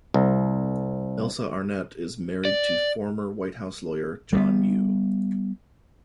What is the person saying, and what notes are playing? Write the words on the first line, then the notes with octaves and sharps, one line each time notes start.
Elsa Arnett is married to former White House lawyer John Yoo.
C2
D5
G3 A3 B3